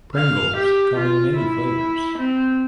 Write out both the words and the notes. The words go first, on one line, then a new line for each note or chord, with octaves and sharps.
Pringles come in many flavors.
F5
G4
F4
E4
C4